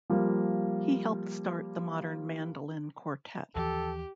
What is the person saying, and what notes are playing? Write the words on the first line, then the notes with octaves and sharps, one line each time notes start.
He helped start the Modern Mandolin Quartet.
F3 G3 A#3
D#2 E3 F3 G4 A4